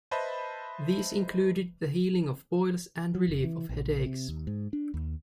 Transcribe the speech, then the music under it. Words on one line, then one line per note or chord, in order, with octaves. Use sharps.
These included the healing of boils and relief of headaches.
B4 C5 D#5 E5 A5 B5
F#3
F1
E3
A#1
C3
D#2
G#2
D4
D#2